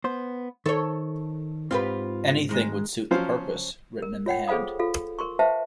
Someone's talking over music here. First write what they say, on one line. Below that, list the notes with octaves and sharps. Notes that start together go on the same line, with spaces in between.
Anything would suit the purpose, written in the hand.
B3 C5
D#3 A4 C#5
G#2 C4 F4 G4 B4
D#3 G#3
F3 F#3 C#4 C5 F5
A#4
F4 C#5 F#5 G5
G#4 A4 C5 F5 B5 D#6
F4 A4 F5
A#4 C6 C#6
B4 C5 E5 F5 G5 A5